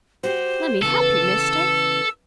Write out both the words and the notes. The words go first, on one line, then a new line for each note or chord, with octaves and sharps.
Lemme hep you, Mister.
F#4 G4 C5
C#3 E3 B3 A4 E6